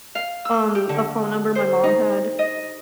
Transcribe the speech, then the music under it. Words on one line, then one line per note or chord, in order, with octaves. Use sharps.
um, a phone number my mom had
F5
E6
G4
D3
C5
D#4
D#5